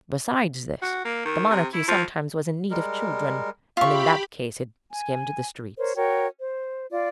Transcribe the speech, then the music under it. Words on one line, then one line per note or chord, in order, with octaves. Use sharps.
Besides this, the monarchy sometimes was in need of children, and in that case it skimmed the streets.
F#4
A#3
D#3
C3
E4
F3
G3 G#3 A#4
F4 G4 E5 B5 C#6
G#5
A#4 C5 C#5
F#4 A#4 C#5 G5
C5
F4 D5